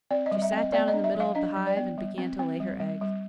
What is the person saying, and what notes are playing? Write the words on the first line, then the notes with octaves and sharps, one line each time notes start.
She sat down in the middle of the hive and began to lay her eggs.
C4 D5
D#5
G3
E5
C4
D#5
B3 D5
D#5
D4
E5
F#3
F5
D4 D#5
F#3
D5
B3
G3
C4
C4
G3
G3
G3